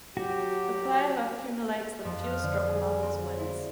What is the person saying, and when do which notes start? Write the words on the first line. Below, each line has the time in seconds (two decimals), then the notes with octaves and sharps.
The player who accumulates the fewest dropped marbles wins.
0.17 F#3 F#4 G4
2.05 F2
2.24 F6
2.43 D3
2.68 G#4
3.02 C4
3.39 E4